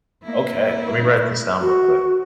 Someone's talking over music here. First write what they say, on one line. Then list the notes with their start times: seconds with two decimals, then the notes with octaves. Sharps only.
Okay, let me write this down real quick.
0.23 A#3 E4
1.61 F#4